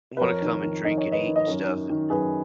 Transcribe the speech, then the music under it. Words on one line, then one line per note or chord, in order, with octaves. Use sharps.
wanna come and drink and eat and stuff. And,
B4
F2 A#4 C#5
D#3
D#3
D#3 D#5
C#5
D#3
B4 D#5
D#3
D#5
F#2 A#4 C#5
D#3
D#3
F#2 G#4 B4